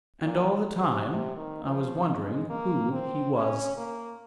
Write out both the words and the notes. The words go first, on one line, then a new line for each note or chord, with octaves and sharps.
And all the time I was wondering who he was.
A#2
C3
C3
D#3
F3
G#3
A#3
C4
C#4
A#3